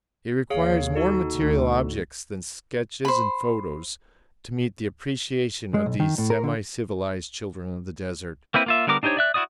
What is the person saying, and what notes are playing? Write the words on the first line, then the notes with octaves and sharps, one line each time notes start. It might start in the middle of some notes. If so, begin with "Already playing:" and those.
It requires more material objects than sketches and photos to meet the appreciation of these semi- civilized children of the desert.
D#2 G#4 C#5 F5
D#4 F#4 A4
D2
C5 B5
G#3
B1
D#3
A2
A#4
D3
A#3 C4 E4 B4
A#3 F4 E5
D3 G3 B3 A#4 D6
D4 D#4 G4 C5 C#5
D5 E5 F#6
E4 F#4 D5 D#6